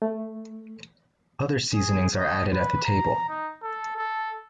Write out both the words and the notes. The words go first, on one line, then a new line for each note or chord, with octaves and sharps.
Other seasonings are added at the table.
A3
G#4
D#5
B4
A#5
D#4
A4
A4